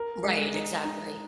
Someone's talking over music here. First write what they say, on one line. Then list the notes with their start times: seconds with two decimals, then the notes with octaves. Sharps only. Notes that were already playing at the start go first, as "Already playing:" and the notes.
Right, exactly.
Already playing: A#4
0.24 G#3
0.54 D#4
0.84 D#4